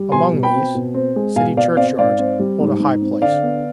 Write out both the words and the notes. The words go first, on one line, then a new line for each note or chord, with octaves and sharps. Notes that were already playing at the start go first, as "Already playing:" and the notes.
Among these, City Churchyards hold a high place.
Already playing: G3
B2 G#5 C6
B2
G5 B5
C4
B2
C4
G#3
B2 F5 G#5
B2 D5 F5
C4 D5 F5
G#2 D5 F5
C4
G3
G#2
G#2
C4
D3 D5 F5
B3